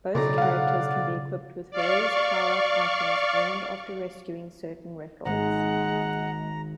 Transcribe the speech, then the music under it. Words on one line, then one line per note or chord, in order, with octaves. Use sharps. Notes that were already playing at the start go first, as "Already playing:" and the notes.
Both characters can be equipped with various power-up items earned after rescuing certain Reploids.
B1 A2 C#3 D5 A#5
F5 F#5
D5 F5 C#6
G#1 G#3 A#3 C4 F#5 A#5